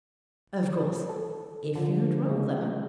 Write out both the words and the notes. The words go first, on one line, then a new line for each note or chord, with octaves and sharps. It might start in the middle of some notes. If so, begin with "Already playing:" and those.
Of course, if you'd rather ...
A4
D3 F3
C#3 G#3